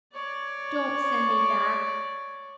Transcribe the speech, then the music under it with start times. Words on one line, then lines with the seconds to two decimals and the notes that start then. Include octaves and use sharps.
Don't send me back!
0.13 C#5 D5